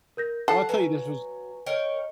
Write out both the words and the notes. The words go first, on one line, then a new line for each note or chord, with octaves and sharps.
Well, I tell you this was
A#4 G6 A#6
A4 F#5 C7
F#3 B4 G#5
A#4 C#5 D#5 G5